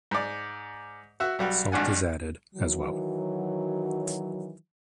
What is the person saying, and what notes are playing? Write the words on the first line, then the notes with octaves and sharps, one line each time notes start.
Salt is added, as well.
G#2 D5
F#4 E5 F#5
B1 G3 F#4
G#1 G2 D4 F#5 G#5
D#3 E3 F#3